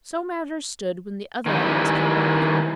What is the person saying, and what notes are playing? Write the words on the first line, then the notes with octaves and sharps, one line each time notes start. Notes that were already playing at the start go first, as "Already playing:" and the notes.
So matters stood when the other animals came back.
D#3 G3 D#4 E4